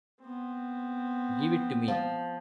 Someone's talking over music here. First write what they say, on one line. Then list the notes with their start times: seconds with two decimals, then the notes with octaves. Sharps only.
Give it to me!
0.22 B3 C4
1.88 F3